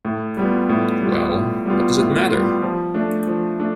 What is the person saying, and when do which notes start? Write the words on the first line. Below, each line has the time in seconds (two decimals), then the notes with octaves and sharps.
Well, what does it matter?
0.05 A2
0.37 G3 B3 F4
0.69 A2
1.02 G3 B3 F4
1.34 A2
1.66 G3 B3 F4
1.98 A2
2.30 G3 B3 F4
2.62 F3
2.94 A3 D4
3.27 F3
3.60 A3 D4